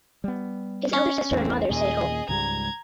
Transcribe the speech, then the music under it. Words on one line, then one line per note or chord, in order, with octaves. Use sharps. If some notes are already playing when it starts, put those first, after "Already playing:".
His elder sister and mother stay at home.
G3 B3
C#4
A1 E2 E3 C4
D#2 A#2 G#4 D#5
C#2 G#2 G3 A#5 G#6